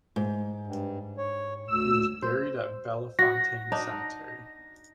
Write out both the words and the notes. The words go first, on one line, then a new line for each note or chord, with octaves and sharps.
He was buried at Bellefontaine Cemetery.
G#2
G2
C#5
D2 E6
C5
F#4 A#6
D4 D#4